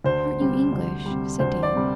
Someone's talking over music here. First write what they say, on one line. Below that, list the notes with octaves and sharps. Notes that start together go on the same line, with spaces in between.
'Aren't you English?' said Dan.
D2 C5
C3 G3
D2
C3 G3
D2 C5
D5
C3 G3